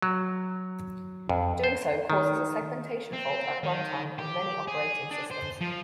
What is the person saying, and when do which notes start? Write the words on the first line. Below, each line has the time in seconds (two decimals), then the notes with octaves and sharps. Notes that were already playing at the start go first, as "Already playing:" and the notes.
Doing so causes a segmentation fault at runtime on many operating systems.
0.02 F#3
1.29 F2
1.64 C5
2.10 D#3
3.13 C4
3.63 D#3
4.19 G4
4.67 G#4
5.11 D4
5.31 C5
5.61 F3